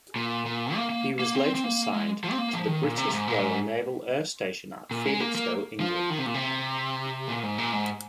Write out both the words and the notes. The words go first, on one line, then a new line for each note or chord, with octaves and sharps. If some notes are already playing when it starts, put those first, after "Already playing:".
He was later assigned to the British Royal Naval Air Station at Felixstowe, England.
A#2
A#2
A#3
A#3
A#3
C4
C4
A#3
G#3
F3
C4
A#3
F3
D#3
A#2
C3
G#2
A#2
G#2
A#2
G#3
A#3
A#3
F3
D#3
C3
A#2
C3
A#2
G#2
A#2
G#2